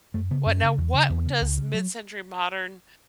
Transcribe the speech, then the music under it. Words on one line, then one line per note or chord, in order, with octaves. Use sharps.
What now, what does mid-century modern,
F#2 A3
C#3 B3
F#2 C#4
C#3
E2
C#3
E2 B3
C#3
C#2
C#3
F#3